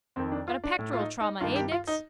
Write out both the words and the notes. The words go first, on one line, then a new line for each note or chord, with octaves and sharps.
Got a pectoral trauma, eh, Dix?
F2 D#3 C4
D4
F4
D4
A2
F4
D#4
D#4
G2 D#3 F4
G4
F4
D#4